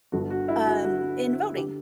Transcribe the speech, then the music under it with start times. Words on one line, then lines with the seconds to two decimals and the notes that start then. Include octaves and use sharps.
um, in voting.
0.12 G1 G2 D3 F#4
0.30 F#4
0.48 E4
0.67 F#4
0.84 F#4
1.57 D3 G4